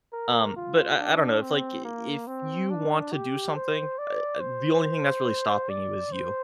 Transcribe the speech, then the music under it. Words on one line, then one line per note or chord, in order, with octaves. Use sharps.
Um, but I I don't know, it's, like, i i if you want to do something, uh uh, the only thing that's really stopping you is you.
A#4
F4
D4
C4
A#3
C4
D4
G4
C5
D5
C5
D5
C5